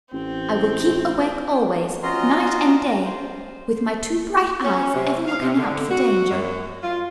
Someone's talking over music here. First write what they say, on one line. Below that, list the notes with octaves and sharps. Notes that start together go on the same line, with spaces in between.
I will keep awake always, night and day, with my two bright eyes ever looking out for danger.
A1 C4
C#4 F4 F#4 D#5 A#5 C6
C5
C#4
C3
F5
C3
D3
F#4
F#2
F4